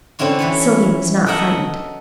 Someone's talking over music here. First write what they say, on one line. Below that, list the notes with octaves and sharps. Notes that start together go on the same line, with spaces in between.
Sylvia was not frightened.
D3 C4 C#4 E4 F#4
E3 B4 C#5
A4 A#4 D#5 E5 F#5